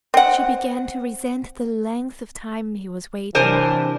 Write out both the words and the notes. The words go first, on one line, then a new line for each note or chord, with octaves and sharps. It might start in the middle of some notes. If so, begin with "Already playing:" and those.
She began to resent the length of time he was waiting.
C4 F#5
C3 E3 D4 A#4 C5 G#5